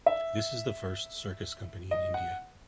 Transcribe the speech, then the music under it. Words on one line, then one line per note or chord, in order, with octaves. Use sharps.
This is the first circus company in India.
E5
D#5
F#5